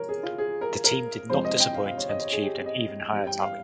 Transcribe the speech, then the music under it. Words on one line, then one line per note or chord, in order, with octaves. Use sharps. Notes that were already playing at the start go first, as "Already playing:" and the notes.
The team did not disappoint and achieved an even higher tally.
Already playing: C3 F3 G#3 A#4 C#5
G#4
F4
G#4
A#4
A#4
F2 C3 F3 G#3 C5
D#5
G5
F5
F5
C#5
D#5
C#5
G#4
G4
D#5
G2 G3
G5
F5